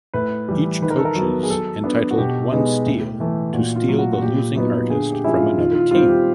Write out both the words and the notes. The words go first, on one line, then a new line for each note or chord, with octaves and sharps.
Each coaches entitled one "Steal" to steal the losing artist from another team.
A2 B4
E3 G3
D#3 B4
A#4
A4
A#4
F#3 B3
G#4
F#3 A4
B3 D4
F#4
B2 G4
G#3 B3 D#4
A2
E3 A3
A#2 F#4
F4
F#3 A3
F#4
F#4
A#2 G4
F#3 B3 D#4
D3 G#4
G4
F3 G#3 C#4 E4
F4
D#3 F4
F4
G3 C4 F4
G4